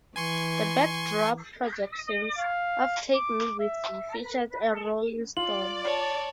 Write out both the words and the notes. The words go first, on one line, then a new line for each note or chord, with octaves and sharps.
The backdrop projections of "Take Me With You" featured a rolling storm.
E3 G#5 C6 C#6
F5
D6
E5
F4 D5 F#7
C#5 A5